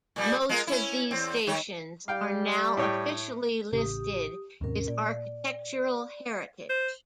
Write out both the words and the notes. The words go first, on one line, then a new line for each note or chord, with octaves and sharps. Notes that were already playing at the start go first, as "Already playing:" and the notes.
Most of these stations are now officially listed as architectural heritage.
A#2 G3 A#3
G#3 F4 A#4
C#4 E4
E2 C4
D#3 C#5
G3 F5 G5
A2 C#5 G5
A1 C#3 G4 D#6
D#2 G#2 C3 C#4 A#4
A#2 D5
C5